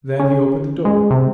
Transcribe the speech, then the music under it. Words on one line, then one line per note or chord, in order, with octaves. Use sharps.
Then he opened the door.
C#4
G#3
C3